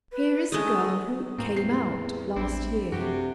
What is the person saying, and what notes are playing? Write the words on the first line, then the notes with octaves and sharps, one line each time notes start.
Here is a girl who "came out" last year.
B4
G#3 A3 D#6
E2 A2 A#3 C4
C7
A1 C4 D4 E4
F#2 C3 F#4 G4